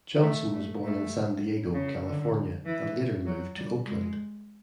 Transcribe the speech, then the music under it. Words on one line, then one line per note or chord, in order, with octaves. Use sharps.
Johnson was born in San Diego, California and later moved to Oakland.
A3
A3
A3
C#3
D3
E3
F#3
G3
G#3